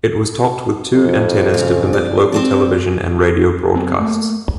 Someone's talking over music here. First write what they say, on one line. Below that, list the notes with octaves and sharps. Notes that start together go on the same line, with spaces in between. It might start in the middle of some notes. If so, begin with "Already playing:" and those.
It was topped with two antennas to permit local television and radio broadcasts.
F2
A#2 C#3
D5
C4 C5 D5
F#2 B3 C4
A3 A#3